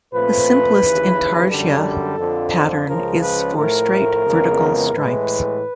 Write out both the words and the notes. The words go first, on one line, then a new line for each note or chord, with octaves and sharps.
The simplest intarsia pattern is for straight vertical stripes.
A#2 F3 A3 C4 B4
D#2 C#3 E3
F#2 D3 G3 A4
F2 D3 F3
C#2 C#3 F3 A#4
B4
A2 F3 A3 A#4
F2 C#3 E3 G#3 B3
A2 E3 G#3 B4